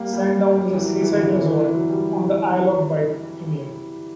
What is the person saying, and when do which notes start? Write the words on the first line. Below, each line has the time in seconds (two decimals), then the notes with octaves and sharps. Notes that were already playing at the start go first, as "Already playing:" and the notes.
Sandown is a seaside resort on the Isle of Wight, England.
Already playing: G3 A#3
0.13 G3
0.58 G3
0.73 E3
0.80 F#3
1.01 E3
1.13 D3
1.23 D3
1.34 E3
1.45 E3
1.60 E3
1.75 F#3
1.89 G3